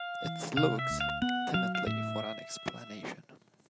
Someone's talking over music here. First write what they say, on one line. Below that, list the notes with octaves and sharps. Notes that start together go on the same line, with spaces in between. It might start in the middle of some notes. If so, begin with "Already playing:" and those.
It looks timidly for an explanation.
Already playing: F5
E3
C3 F5
E5
D2
F5
B3 F#5
F#3 F5
F5
A2 E5